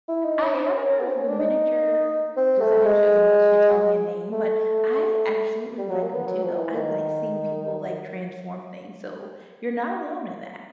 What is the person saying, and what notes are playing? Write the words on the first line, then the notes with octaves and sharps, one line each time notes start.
I haven't heard of the miniature design shows, unless you tell me a name, but, I absolutely like 'em too though. I like seeing people, like, transform things, so, you're not alone in that.
E4
D#4
C#4
C4
C#4
C#4
B3
C4
C#4
D4
D#4
C4
A3
G#3
A3
G3
F#3
A#3
B3
F#3
F3
E3
D#3